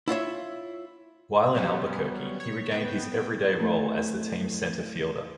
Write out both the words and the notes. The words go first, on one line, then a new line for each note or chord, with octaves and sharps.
While in Albuquerque, he regained his everyday role as the team's center fielder.
E4 F4 C#5 E5
F#3 G3 B3 C#4
C#5
B3 G5
A3 C4 E4 A4